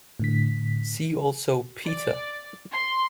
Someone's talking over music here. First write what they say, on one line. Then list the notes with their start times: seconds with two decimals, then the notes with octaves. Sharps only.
See also Peter.
0.19 A2 D3 B6
1.86 D5
2.73 C6